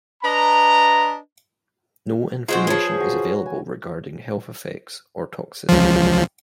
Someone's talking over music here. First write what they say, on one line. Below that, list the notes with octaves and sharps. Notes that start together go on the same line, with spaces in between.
No information is available regarding health effects or toxicity.
D4 B4 D#5 A#5
G#3 C4 F4 F#4
F3 G#4 B4 C#5 C#6
F#4
G#5
C#2 F3